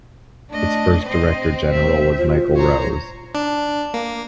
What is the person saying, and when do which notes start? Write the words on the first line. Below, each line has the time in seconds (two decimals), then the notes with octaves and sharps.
Its first Director General was Michael Rowse.
0.51 A3 D4 D#5
1.05 C4 C5 D#5
1.68 A3 C5 E5
2.18 G#3 F4
2.56 G2 C5 C#5 A#5
3.35 D4
3.94 A#3